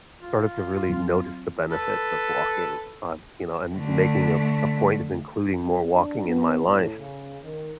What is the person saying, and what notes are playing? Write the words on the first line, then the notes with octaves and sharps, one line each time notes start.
started to really notice the benefits of walking on, you know, and making a a point of including more walking in my life,
F4
F#3 C4
A4 B4
D3 A3
C4
D4
B3
A2
C#3
D#3